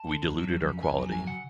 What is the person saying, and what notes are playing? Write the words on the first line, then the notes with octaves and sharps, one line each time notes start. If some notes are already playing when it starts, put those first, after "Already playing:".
We diluted our quality.
Already playing: A5
D3
F2
F#3
F2
C#3
F2 G#5
F#3
F2 G#5
C#3 F#5